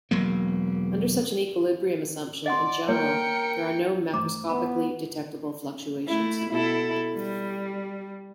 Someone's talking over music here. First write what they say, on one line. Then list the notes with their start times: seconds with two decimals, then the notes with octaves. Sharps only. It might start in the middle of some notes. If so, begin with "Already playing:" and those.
Under such an equilibrium assumption, in general, there are no macroscopically detectable fluctuations.
0.11 E1 F#3 A#3
2.46 D5 D#5 F#5 C6
2.88 A#3 A#4 C#5 G5 C#7
4.13 G2 E3 A3 C5 A#5 D6
4.49 B3 B5
6.08 A3 E4
6.50 B2 E4 A4
7.16 G3